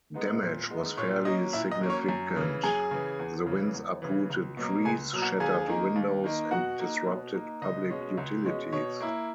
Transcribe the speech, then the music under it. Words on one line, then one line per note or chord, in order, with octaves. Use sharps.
Damage was fairly significant; the winds uprooted trees, shattered windows, and disrupted public utilities.
G#3 B3 D#4
A#2
G#3 B3 D#4
A#2 C#5
F#3 A#3 C#4 D#5
A#2 E4 E5
D#5
F#3 A#3 C#4
C#5
F#2
C#3 E3
F#2 G#4 G#5
C#3 E3
E2
C#3
E3
E2
C#3 E3
C#2
B2 F#3 A#3
C#2 G#4 G#5
B2 F#3 A#3
F#4 F#5
D#2 G#4 G#5
D#3 A#3 D#4
D#2
D#3 A#3 D#4
B2 F#4 F#5
A#3 D#4
B2
A#3 D#4
C#2 D#5
B2 G#3 C#4
C#2
B2 G#3 C#4
B2 C#5
A#3 E4